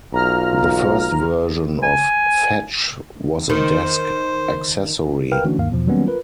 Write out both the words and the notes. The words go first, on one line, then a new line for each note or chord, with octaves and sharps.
The first version of Fetch was a desk accessory.
B1 F4 A#5 F6
G#5
D#3 C5
A#4 B4 F5 G5 F6
D3 E3 A3 C#4 D4 F#4
D2 G2 D#3 A#3 F5
E2 B2 F3
D#3 F#3 G3 A#3 B3 C#4
F4 A#4 B4